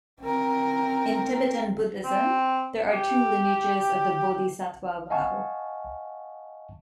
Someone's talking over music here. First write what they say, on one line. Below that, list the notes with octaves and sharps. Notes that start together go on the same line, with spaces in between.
In Tibetan Buddhism there are two lineages of the bodhisattva vow.
C4 A#4
C4
G4
D#5 F5 F#5 G#5 A5 C#6